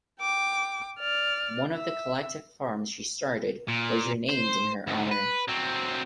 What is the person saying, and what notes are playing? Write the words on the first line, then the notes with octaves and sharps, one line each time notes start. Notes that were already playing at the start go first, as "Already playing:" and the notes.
One of the collective farms she started was renamed in her honor.
G5 D6
D5 F6
E5
A#2
C5
D2 G#2
B4
F#3 C4